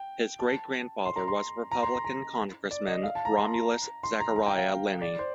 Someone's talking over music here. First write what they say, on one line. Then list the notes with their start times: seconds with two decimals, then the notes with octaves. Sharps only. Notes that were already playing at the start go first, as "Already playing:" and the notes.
His great-grandfather was Republican congressman Romulus Zachariah Linney.
Already playing: G5
0.39 A5
1.05 C6
1.16 A#5
1.28 C6
1.72 A#5
1.83 C6
1.94 A#5
2.04 A#5
2.71 D5
2.87 D#5
3.03 F5
3.15 A5
3.25 A#5
3.37 C6
3.53 A#5
4.03 C6
4.20 A#5
4.36 A#5
4.46 G5
4.57 F5
5.01 D5
5.19 C5